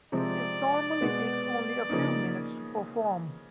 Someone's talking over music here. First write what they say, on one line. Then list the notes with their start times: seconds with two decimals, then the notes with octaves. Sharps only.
This normally takes only a few minutes to perform.
0.12 C3 F3 G#3 C4 D5
1.01 B2 G#3 B3
1.89 C#3 F3 A#3 D#4